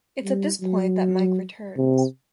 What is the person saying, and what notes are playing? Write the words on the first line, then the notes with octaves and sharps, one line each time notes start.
It's at this point that Mike returns.
G3
F#3
C3